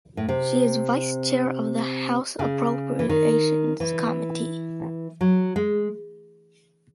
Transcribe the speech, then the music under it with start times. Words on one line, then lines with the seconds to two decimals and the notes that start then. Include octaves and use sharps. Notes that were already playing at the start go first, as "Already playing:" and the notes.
She is vice chair of the House Appropriations Committee.
0.17 A2
0.29 C3
2.39 C#3
2.99 E3
3.09 D#3
3.80 E3
5.21 F#3
5.56 G#3